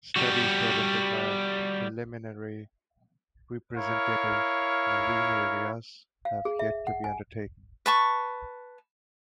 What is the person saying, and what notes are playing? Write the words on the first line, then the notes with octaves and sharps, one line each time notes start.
Studies to identify preliminary representative marine areas have yet to be undertaken.
G3 F#4
E4 A#4 C#5 F5
F5
G#4
E5
F#5
G#5
B4 A5 C#6